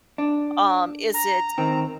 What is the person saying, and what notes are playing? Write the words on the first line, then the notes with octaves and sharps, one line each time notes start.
Um, is it
D4
A#5
D#3 C4